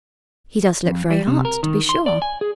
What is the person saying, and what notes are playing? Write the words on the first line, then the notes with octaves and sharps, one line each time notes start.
"He does look very hot, to be sure."
F2
G3
C3
A#4
D#3
C6
D5
G#5
G#4